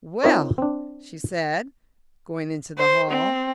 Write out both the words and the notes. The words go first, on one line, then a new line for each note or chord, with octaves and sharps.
"Well?" she said, going into the hall.
C4 D#4 F4 A#4 C5 C#5
C4 D4
C5
C4